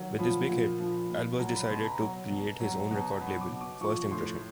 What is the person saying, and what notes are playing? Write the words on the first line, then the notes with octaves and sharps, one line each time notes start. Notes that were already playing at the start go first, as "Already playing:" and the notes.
With this big hit, Albers decided to create his own record label, First Impression.
Already playing: D#3 F#3
F3 B5
A#2
F3
A#2
F#3 A#5
B5
B2 C6
B5
A#5
F#3
B2
F#3 A#5
B2 A#5
F#3 B5
D6
B2
D6
F3 C#6
A2 C6